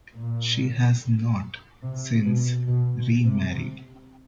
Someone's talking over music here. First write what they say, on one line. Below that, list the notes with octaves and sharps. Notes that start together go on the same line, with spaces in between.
She has not since remarried.
A#2
C3
B2
B2
C3